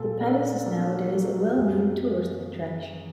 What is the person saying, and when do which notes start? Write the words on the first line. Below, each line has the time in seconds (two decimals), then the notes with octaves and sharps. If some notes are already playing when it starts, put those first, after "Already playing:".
The palace is nowadays a well known tourist attraction.
Already playing: A#2 A4
0.21 D4
0.66 A#3
1.11 F#3
1.56 F#2 G#4